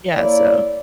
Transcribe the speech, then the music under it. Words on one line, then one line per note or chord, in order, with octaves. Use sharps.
Yeah. So
A#3 E4 C#5 D5